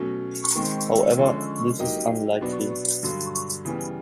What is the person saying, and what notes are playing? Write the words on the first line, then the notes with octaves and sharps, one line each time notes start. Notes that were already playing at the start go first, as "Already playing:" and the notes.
However, this is unlikely.
Already playing: B2 F#3 A3 C#4
D#3 G#3 C4
D3 F3 G#3 C#4
F#3 A#3 D#4 G4
B2 F#3 B3 D4
G2 D3 F#3
C#3 E3 G3 B3